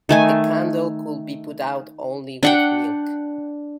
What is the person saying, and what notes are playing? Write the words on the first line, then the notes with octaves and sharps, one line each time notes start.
The candle could be put out only with milk.
D#3 A3 G#5
D4 F#5 G5